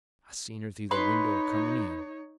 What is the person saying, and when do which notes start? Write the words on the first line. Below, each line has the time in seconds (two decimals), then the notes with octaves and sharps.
I seen her through the window a-comin' in.
0.91 D#4 B4 C#5 B5 C6